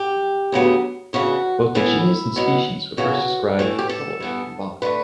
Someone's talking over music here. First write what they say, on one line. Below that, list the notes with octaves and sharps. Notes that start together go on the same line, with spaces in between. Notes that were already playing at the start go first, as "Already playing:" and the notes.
Both the genus and species were first described and published in Bot.
Already playing: G4
D2 C#3 F#3 B3
D2 C#3 E3 F#4
A2 E3 B3 E4
B2 F#3 B3
F#2 C#3 E3 F#4
A2 E3 A3
G4
A4
G2 E3 B3
D3 A3 B4